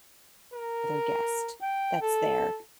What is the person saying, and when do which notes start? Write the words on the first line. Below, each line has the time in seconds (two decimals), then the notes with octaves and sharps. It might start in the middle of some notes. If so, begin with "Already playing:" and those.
other guest that's there
0.54 A#4
1.62 G5
2.01 A4